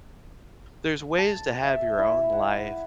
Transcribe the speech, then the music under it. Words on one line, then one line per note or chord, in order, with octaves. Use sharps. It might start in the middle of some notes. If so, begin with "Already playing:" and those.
there's ways to have your own life
A5
E5
E4
F#5